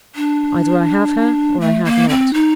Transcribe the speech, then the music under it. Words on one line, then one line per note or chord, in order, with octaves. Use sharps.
Either I have her, or I have not.
D4
A3
A#3
C4
D#4